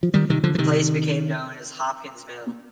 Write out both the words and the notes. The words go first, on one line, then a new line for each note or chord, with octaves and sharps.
The place became known as "Hopkins Mill".
F3
D#3 G3
C3 D#3
D3 F3
F3
C3 D#3